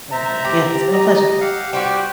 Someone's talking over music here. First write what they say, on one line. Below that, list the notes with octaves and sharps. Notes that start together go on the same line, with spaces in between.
So, um, yeah, it's been a pleasure.
C5 E5 A#5
G4
D#5
G4 F5 F#5
G3 B3 F#4 G4 C5